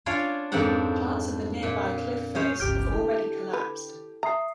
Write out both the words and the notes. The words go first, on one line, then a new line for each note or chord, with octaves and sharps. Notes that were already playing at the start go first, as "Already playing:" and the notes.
Parts of the nearby cliff face have already collapsed.
D4 F4 C#5 D5 F5 G#5
F2 G#2 A#3 C4 D4 F#5
A#2
C#4 G#4 C5 C#5
G1 C#2 G4 F6 G6 D7
D3 E4 A4 A5
B4
E5 A#5 D#6 C7